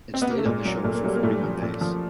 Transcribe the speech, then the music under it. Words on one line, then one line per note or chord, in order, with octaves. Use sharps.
It stayed on the show for forty-one days.
C4
B3
A#3
A3
A#2 G#3
F#3
A#2 A3
A#3
F#3 G3 A3
A#3
A#2 G3 A3
F3
A#2
F3